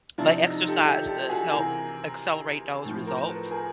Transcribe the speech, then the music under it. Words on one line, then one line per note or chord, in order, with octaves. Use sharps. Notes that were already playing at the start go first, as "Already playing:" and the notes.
but exercise does help accelerate those results,
C3 F3 D4 E4
D#4
D#4
G4 A4
G4 A4
G4 A4
F#4 G#4
C3 E3 G#4 A#4
A2 F3
A#4 C5
A4 B4
G#4 A#4